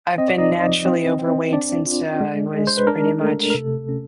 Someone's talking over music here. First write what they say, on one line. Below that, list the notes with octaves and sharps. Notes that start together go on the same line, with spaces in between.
I've been naturally overweight since I was pretty much
C4 D#5
D5
D#4 D#5
F3
C4
C4
D4 D5
F4
G#3
G#3
C5
B4
D4 A#4
A3 A4
A#4
C3 A4
C#4